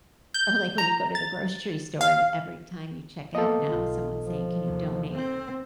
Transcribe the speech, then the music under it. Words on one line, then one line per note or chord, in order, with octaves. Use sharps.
Or like when you go to the grocery store and every time you check out now, someone's saying, "Can you donate"
G6
A#5
A6
F5
A#3 B3 A4 D#5
B1 F4
F3
D#2 C3
C4